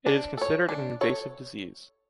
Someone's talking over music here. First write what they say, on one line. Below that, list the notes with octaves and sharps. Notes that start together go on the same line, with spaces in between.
It is considered an invasive disease.
D4
A4 C#5
D4
A4 C#5